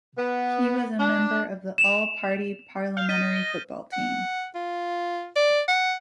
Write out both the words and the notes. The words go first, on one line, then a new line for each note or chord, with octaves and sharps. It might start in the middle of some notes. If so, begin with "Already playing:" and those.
He was a member of the All-Party Parliamentary Football Team.
B3
D4
E7 F7
F5 F6 G6
D#5 A6 B6 D#7
A#6 G7
F#5
F4
D5
F#5